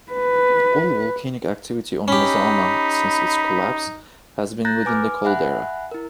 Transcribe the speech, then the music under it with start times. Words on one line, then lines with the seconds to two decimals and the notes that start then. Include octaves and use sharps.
All volcanic activity on Mazama since its collapse has been within the caldera.
0.12 B4
2.08 C#4 D#4 G4 B5
4.65 A#5 F#6 G6 A6 A#6
4.85 B4 G#5 D6 F6
5.25 E5 F#5 G#5 B5 F#6
5.91 E4 A#4